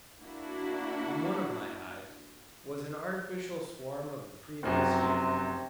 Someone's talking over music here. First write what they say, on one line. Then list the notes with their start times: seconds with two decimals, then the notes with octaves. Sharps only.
In one of my hives, was an artificial swarm of the previous year.
0.21 A#3 D4 E4 F#4
4.63 F1 F#2 C3 C4 F#4